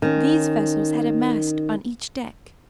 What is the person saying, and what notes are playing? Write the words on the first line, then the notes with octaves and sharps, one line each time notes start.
These vessels had a mast on each deck.
D#3 C#4